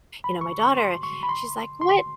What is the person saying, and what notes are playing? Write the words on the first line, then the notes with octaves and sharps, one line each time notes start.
you know, my daughter." She's, like, "What?
B5
C#6
C#6
C6
C#6
B5
C6
C6